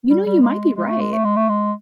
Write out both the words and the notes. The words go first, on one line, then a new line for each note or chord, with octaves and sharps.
You know, you might be right.
G3
G3
G#3
G#3
A3
G#3
A3
G#3
A3
G#3